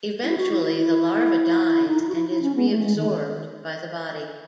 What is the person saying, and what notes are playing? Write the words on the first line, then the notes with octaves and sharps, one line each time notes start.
Eventually the larva dies and is reabsorbed by the body.
E4
F#4
E4
E4
E4
D#4
E4
F#4
E4
E4
C#4
B3
A3
G#3
D#3